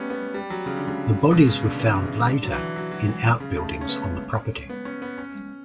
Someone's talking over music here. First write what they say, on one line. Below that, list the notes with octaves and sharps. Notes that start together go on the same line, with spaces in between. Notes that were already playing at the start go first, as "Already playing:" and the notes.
The bodies were found later in outbuildings on the property.
Already playing: G3 A3 B3 C#4
B3
G3
F#3
C#3
D3
C#3
B2
C#3
D3
E3
C#3
D3
F#3
E3
F#3
F#3
E3
C#3
A3
C#4
B3
C#4
B3
C#4
B3
C#4